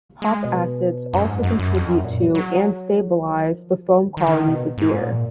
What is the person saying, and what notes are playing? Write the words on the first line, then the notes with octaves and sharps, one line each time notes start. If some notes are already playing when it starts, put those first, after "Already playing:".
Hop acids also contribute to and stabilize the foam qualities of beer.
G#3
B2
F#2
G#2
F#2
F#2
F2
F#2
A#2
F#3
F#3
D#3
F3
D3
D#3
D#3
D3
D#3
B2
G#2
A#2